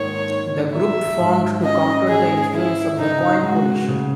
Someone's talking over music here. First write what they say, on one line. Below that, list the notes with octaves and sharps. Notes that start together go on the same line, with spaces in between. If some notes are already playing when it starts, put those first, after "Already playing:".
The group formed to counter the influence of the Coin Coalition.
Already playing: G#2 D#3 A#3 C#5
D#4
F#3 E5
G#2
C#4 D#5
G#2 G#4
E3 E4
C#3 D#4
G#3 F#4
C#3